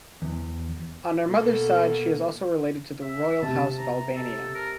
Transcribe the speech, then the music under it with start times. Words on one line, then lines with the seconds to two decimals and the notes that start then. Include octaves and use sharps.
On her mother's side she is also related to the Royal House of Albania.
0.22 E2
1.26 B2 A#3 A4
3.02 E5
3.42 C3 A5
3.79 A#5
4.16 A4
4.55 A#4